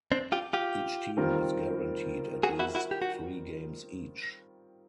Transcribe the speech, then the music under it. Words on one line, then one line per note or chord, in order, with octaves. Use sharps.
Each team was guaranteed at least three games each.
C4 D4
F4 G4
F4 G4
D#3 G3 C4 F4 A#4
F#4 G#4
E4 F#4
E4 F#4
G4
F#4